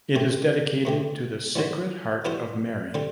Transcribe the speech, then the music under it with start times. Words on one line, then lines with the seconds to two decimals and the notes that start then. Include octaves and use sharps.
It is dedicated to the Sacred Heart of Mary.
0.16 B2 A3 C4 G4
0.85 B2 A3 C4 G4
1.55 E3 G3 B3 F#4 C5
2.25 E3 G3 B3 F#4 C5
2.94 D3 G3 C4